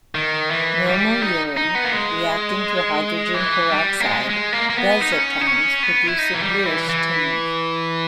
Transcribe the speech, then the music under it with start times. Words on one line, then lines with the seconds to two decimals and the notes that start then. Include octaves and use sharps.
Normal urine reacting to hydrogen peroxide does at times produce a bluish tinge.
0.15 D#3
0.51 E3
0.86 G3
1.22 D#4
1.57 D#4
1.75 B3
1.84 A#3
1.92 G#3
3.34 E3
3.70 G3
4.00 A#3
4.05 G#3
4.30 G#3
4.53 A#3
4.70 A#3
4.77 B3
5.01 D#4
5.12 C#4
5.41 D#4
5.47 C#4
5.83 B3
6.07 E4
6.19 D#4
6.34 E3
6.42 G3
6.66 E3
6.89 E3